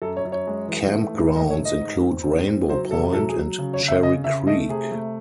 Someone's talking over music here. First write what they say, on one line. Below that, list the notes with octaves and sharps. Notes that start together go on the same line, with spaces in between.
Campgrounds include Rainbow Point and Cherry Creek.
F#2 A4
C#5
F#2
C#5
G#3
E3
A3
G#2
A3 D#5
C#5
G#2
D#5
G#2
C4
C4
C4
F#3 C5
C3 A4
F#3 A4
G#4
F#3
C#3
C#5
C#3
E5
C#3 D#5
C#3 E5
A3 D#5
C3 G#4
A3